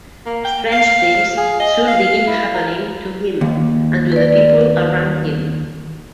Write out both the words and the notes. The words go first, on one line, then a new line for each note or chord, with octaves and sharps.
Strange things soon begin happening to him and to the people around him.
A#3
G5
F5
G#4
D#5
F5
E4
A#4
D#2
B4 D5